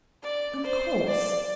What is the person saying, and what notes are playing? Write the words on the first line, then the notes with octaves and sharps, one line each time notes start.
"Of course."
D5
C5
D5